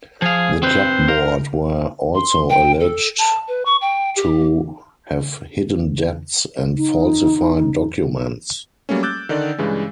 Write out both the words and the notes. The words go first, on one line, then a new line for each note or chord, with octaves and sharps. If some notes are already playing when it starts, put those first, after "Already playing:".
The club board were also alleged to have hidden debts and falsified documents.
F3 G#4 F5
C4 B4 C5
A#4
C6
G5
A4
A5
B4
C#6
G5
G4
D#4
F#3 G3 A3 A#3 C#4
D6 E6 F#6 G6 A6
D3 D#3 D#4 D5
G2 C#3 E3 G#3